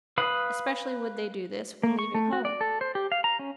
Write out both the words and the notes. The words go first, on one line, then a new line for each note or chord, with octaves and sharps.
Especially would they do this, when leaving home.
B4 F5 B5 D#6
A#3
C#6
A3
F#4
D5
A4
C5
G4
F5
A#5
C#4